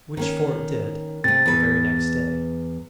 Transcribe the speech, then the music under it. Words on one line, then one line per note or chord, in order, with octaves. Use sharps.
Which Fort did, the very next day.
D#3 A#3 C#4
C3 A3 A6
E2 B4